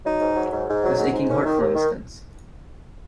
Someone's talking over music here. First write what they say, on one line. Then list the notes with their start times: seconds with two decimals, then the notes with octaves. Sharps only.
This aching heart, for instance.
0.05 F#3 D#4
0.20 G#2
0.35 F#3
0.51 G#2
0.67 G#2
0.82 F#3
0.97 G#2
1.13 G#2
1.28 D#2 C#4
1.45 D#3
1.60 D#2
1.75 D#3